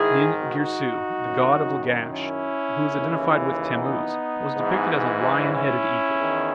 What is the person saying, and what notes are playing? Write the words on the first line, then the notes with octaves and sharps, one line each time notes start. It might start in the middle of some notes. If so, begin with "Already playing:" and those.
Nin-Girsu, the god of Lagash, who was identified with Tammuz, was depicted as a lion-headed eagle.
Already playing: G#2 D#3 E4 G#4
D#4 F#4
F#2 D#3
C#4 E4
D#2 C#3 E3
B3 D#4
G#2 E3
C#4 E4
E2 D#3